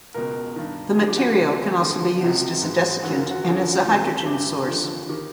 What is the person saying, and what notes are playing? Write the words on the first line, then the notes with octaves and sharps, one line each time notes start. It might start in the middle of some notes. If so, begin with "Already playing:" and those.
The material can also be used as a desiccant and as a hydrogen source.
C#2 B2 A#4
G2 D#3
F#2 D3 F3 G#4
G4
F#4
F4
E2 C3 E3
D#2 D3 F3
C#2 C3 F3 F#4
G#2 E3
F#2 D#3 F#4
F4
F#4
F#2 D3 F3 F#4
C#2 C3 E3
A4
G#4
G2 E3 G4
D#2 D3 F3
D#3 G4